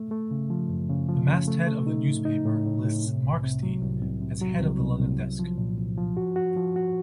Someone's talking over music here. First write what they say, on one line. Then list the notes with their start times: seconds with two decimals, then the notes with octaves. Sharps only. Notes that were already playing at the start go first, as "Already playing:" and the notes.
The masthead of the newspaper lists Markstein as head of the London desk.
Already playing: A3
0.11 A3
0.31 C#3
0.50 F3
0.69 F#2
0.90 C#3
1.09 F3
1.28 C#3
1.47 A3
1.67 A3
1.87 D#4
2.06 A2
2.25 D#4
2.45 A2
2.65 A2
2.85 A2
3.04 C3
3.24 C2
3.43 C3
3.63 F#3
3.82 C2
4.01 C2
4.21 C3
4.41 F#3
4.60 C2
4.80 C2
5.00 C2
5.19 C2
5.39 F3
5.58 A#2
5.78 C2
5.97 F3
6.17 F#4
6.36 F#4
6.57 F3
6.76 F#4